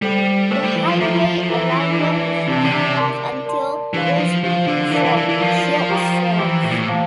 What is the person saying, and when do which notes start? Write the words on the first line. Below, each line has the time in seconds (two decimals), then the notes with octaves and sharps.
The highway alignment is due north until just before Sioux Falls.
0.02 G3 A4 C5 G5
0.51 A3 A4 C5 G5
0.64 G3
0.76 E3
0.88 F3
1.00 F3 A4 E5 A#5 D6
1.49 E3 A4 E5 A#5 D6
1.98 D4 G4 D5 A5 D6
2.47 C3 D4 G4 D5 A5 D6
2.65 D3
2.71 C3
2.97 A#4 D5 A5 C6
3.46 A#4 D5 A5 C6
3.94 E3 D4 G4 C5 F5
4.18 F3
4.43 F3 D4 G4 C5 F5
4.67 D3
4.91 E3 E4 A#4 D5 F5 A5
5.04 E3
5.17 E3
5.29 E3
5.40 F3 E4 A#4 D5 F5 A5
5.90 G4 C5 G5 A#5 D6
6.38 E3 G4 C5 G5 A#5 D6
6.64 A2
6.71 A#2
6.78 A2
6.87 C5 F5 A5 D6